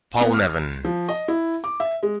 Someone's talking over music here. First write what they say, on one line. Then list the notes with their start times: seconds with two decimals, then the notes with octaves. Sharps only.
Paul Nevin.
0.21 B3
0.34 F6
0.85 F3
1.09 D#5
1.28 E4
1.64 D6
1.80 E5
2.03 G#3